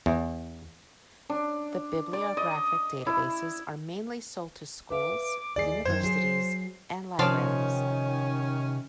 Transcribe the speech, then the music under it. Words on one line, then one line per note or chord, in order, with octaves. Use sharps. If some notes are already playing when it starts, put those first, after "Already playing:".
The bibliographic databases are mainly sold to schools, universities and libraries.
E2
D4
D5
D#5
E4
B4 E5 F5 D6
D#2 G#4 D5 C7
F#2 D#3 C5 G#6
F#3 G#4 C7
C3 D#3 F3 C#4 D5 F5